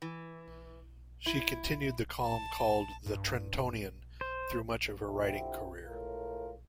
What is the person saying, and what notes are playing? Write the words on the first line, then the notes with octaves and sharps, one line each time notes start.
She continued the column, called "The Trentonian", through much of her writing career.
E3
E4
A5
G2
C5
D3 F3 C4 E4 G4
C#2 A2 F4 A#4